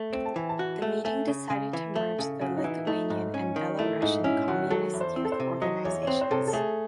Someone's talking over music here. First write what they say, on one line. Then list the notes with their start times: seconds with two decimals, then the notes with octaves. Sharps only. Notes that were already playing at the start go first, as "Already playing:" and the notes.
The meeting decided to merge the Lithuanian and Belorussian communist youth organizations.
Already playing: A3
0.13 C4
0.25 A5
0.36 E3 G#5
0.49 A5
0.59 F#4
0.82 A3
1.05 A3 G#5
1.28 C#3
1.50 C#3
1.73 E3
1.96 A3 E5
2.18 C#3 A4
2.41 C#3 F#4
2.57 D#4
2.64 E3 E4
2.87 A3 D#4
3.10 G#2
3.34 C#4
3.56 D#3
3.79 A3 E4
4.02 G#2 D#4
4.24 C#4 E4
4.48 D#3 F#4
4.71 F#3 A4
4.93 E2
5.01 C5
5.16 C4
5.25 A4
5.32 C5
5.40 C3
5.61 F#3 D#5
5.84 E2 C#5
6.03 C#5
6.07 C4 C5
6.21 C5
6.31 C3 A4
6.48 A4
6.53 A3 G#4